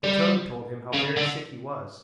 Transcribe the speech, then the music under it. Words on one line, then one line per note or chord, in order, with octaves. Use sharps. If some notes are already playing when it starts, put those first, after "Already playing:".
The toad told him how very sick he was.
G3
C#3
D3